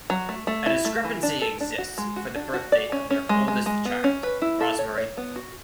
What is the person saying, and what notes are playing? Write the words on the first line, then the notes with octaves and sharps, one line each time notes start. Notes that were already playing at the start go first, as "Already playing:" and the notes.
A discrepancy exists for the birth date of their oldest child, Rosmarie.
F#3
A3
A3
E4
A3
E3
D4
A4
D4
F#4
G#3
F#4
D4
F#4
D5
C#4
C#4
G#3
G#3
G#3
B3
C#4
B4
E4
A4
C#5
C#5
B3
F#4